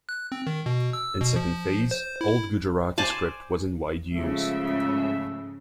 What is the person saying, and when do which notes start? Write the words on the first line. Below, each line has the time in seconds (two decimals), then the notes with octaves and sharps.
In second phase, Old Gujarati script was in wide use.
0.09 F#6
0.32 C4
0.47 D#3
0.66 B2
0.93 E6
1.21 B2
1.36 F3
1.91 C5
2.21 E4
2.98 C5 D5 G#5 A5
4.13 G#2 C#3 F3 A3 E5